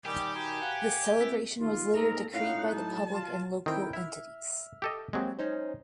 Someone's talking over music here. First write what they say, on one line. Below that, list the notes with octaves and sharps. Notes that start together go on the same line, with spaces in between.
This celebration was later decried by the public and local entities.
D#3 G3 G4 G#5
F#4 G#5 A#5 B5
B4 F5 F#5
C4 E4 E6 B6
D#2 F4
G#2 A#3 A4 A#4 A#5
A2 C#4 D#4 F4 F5 F#5
F#3 A5
F4
D#3 C4 E4 A#4 G5
E4 E5 F6
G4 A4 D#5
F#3 G#3 A#3 C4 G4
C#4 D#4 C5